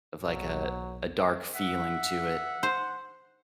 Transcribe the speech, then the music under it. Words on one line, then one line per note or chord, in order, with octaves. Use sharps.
of like a a dark feeling to it.
B1 F#3
E5 F#5
C5